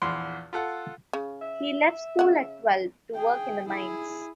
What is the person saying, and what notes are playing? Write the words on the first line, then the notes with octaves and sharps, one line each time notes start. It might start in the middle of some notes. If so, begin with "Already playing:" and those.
He left school at twelve to work in the mines.
A#1 E2 C6
F4 A4 F#5
C#3
E5
C#3 F#5
G#4 G5
E4 G#4